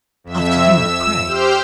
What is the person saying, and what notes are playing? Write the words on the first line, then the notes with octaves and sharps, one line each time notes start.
"After you, pray!"
F2 E5 E6
E6
G4 C5 F6 G6